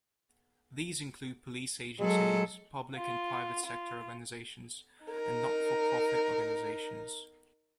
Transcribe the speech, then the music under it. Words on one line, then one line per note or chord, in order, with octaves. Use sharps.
These include police agencies, public and private sector organisations and not-for-profit organisations.
F#3 G#3 A4
F4
F4
D#4 A#4